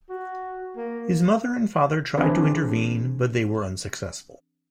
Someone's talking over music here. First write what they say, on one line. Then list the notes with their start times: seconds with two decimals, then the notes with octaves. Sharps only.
His mother and father tried to intervene, but they were unsuccessful.
0.09 F#4
0.77 A#3
2.17 E3 C4 D4 G#4 B4